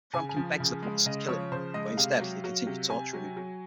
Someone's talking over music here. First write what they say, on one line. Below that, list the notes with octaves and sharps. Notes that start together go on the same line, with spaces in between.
Framkin begs the puppets to kill him, but instead, they continue torturing him.
C#3 G#5
G#5
F3
C#3
G#3
C#3 D#5
F3 C#5
C#3 C5
G#3 D#5
C3 F5
F#3
F#3
C3
C3 G#5
F#3
F#3